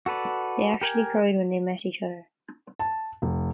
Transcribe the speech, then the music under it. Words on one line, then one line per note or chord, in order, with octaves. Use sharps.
They actually cried when they met each other.
F#4 A4 B4 D5
G4 A#4 G5 G#5
A5
F1